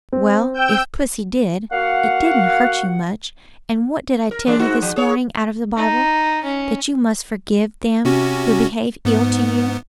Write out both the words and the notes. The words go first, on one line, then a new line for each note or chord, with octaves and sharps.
"Well, if pussy did, it didn't hurt you much; and what did I tell you this morning out of the Bible?--that you must forgive them who behave ill to you."
C4
G5 E6 G6
A#3 F#4 F5 F#5
A#4
E2 G#3 D4
G#2 D#4 F#4
F3
G#4 C#5
D#4
C#4
C3 C#4 F#4
G#2 B3